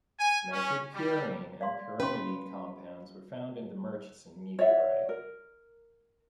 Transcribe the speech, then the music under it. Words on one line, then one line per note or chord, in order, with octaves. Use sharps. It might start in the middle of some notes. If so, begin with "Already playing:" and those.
Measured purine and pyrimidine compounds were found in the Murchison meteorite.
G#5
C#4
G3
D5 F5 C6
C#4 B4 C6
C#5 D5 E5 F#5
A#4